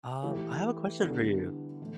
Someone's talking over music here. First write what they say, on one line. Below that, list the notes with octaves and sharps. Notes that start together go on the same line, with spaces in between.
Um, I have a question for you.
E3 A3 E4 G4 B4
D3 G3 B3 E4 A4
A2 E3 A3